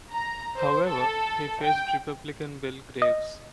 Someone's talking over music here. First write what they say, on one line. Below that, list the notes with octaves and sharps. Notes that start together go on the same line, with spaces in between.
However, he faced Republican Bill Graves.
A#5
C5
A4
G5
D#5